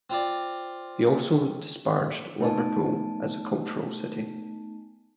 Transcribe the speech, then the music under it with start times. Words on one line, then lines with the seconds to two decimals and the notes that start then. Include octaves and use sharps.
He also disparaged Liverpool as a cultural city.
0.10 C4 F4 D5
2.40 A3 B3 D#4 G#5 A5